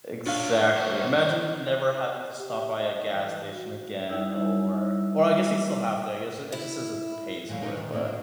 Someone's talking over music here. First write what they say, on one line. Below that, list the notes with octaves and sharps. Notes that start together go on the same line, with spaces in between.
Exactly. Imagine never having to stop by a gas station again, or or I guess you still have to, I guess it just says it pays for it, but
D4 F4 C#5 F5
C5 C#5
G4
D#5
E3
F#4
G3 D#4 E4 E5 E6
E4
D2 A#2 E3 G3 C#5 F5
D#4 A#4 B4 C#5
A#2 D#3
A2 A#3 C4
D4 F#4